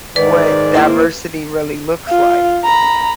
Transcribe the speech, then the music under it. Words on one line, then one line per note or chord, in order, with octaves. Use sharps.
what diversity really looks like,
G#2 D#3 B4 D5
A#3 C4 E4
F4
A#5 B5